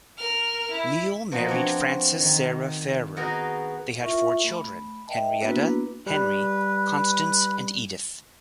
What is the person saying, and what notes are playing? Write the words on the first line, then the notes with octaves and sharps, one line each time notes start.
Neale married Frances Sarah Farrer; they had four children: Henrietta, Henry, Constance and Edith.
A#4 F6
E4
B2 F3 D#4 F#4
C4 D4 C#5
D#3
B3 D#4 F#4 G#4 A#4
E4 F4 A#4 E5 C#6
A3 B5
B4 D#5 E5 G5 A5
A#3 B3 D4 E4 F#4 B4
G3 B4